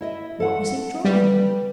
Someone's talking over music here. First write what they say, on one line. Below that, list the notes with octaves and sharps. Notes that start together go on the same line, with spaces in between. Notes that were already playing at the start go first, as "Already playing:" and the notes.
What was he drawing?
E4 D#5 E5
A4 F#5
G3 B4